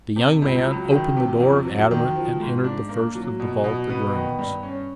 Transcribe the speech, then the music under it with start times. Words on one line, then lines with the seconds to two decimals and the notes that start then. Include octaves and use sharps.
The young man opened the door of adamant and entered the first of the vaulted rooms.
0.16 C3
0.42 C#2
0.66 F#3
0.92 D#3
1.17 C3
1.40 F2
1.65 F#3
1.91 D#3
2.16 F3
2.40 G#2
2.64 D4
2.89 A#3
3.15 F#3
3.40 B2
3.64 B2
3.89 B3
4.13 D#3
4.39 G2
4.63 C#4